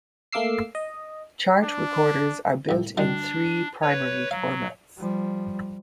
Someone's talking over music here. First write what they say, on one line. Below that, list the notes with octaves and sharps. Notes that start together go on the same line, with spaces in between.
Chart recorders are built in three primary formats.
A3 A#3 F5 D6 E6 C7
D#5
D4
C2 A2
D2 D#3 G3 D4
B4 C#5
F#3 F5
F3 G3